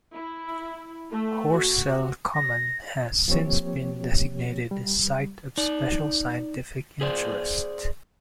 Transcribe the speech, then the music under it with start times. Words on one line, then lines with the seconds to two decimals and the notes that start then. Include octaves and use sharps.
Horsell Common has since been designated a Site of Special Scientific Interest.
0.14 E4
1.11 A3
1.51 F#4
2.34 A#6
3.28 F3 A#3 C4 G4 C#5
4.71 G3
5.58 D#4 D5
7.01 G#4 C5 D5